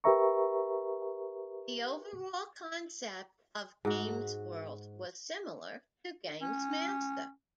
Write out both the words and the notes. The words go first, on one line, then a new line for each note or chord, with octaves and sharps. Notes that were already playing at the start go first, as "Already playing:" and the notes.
The overall concept of "Games World" was similar to "GamesMaster".
G4 A#4 B4 E5 A#5 C#6
G#2 F#4
C#4